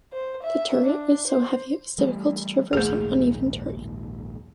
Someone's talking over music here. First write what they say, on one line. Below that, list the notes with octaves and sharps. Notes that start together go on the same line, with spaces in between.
The turret was so heavy it was difficult to traverse on uneven terrain.
C5
E5
D4
C5
E3 G3 A3
A#1 D#2 G#2 A3 G#4